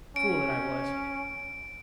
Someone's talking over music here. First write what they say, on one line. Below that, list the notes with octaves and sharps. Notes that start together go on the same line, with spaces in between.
Fool that I was!
C#4 D7